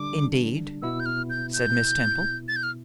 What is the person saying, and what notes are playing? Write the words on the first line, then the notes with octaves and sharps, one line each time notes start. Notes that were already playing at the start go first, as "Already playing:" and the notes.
'Indeed!' said Miss Temple.
Already playing: D3 G3 D4 D6
B2 B3 E4 E6
G6
F6
G6
G6
A6
G6
F6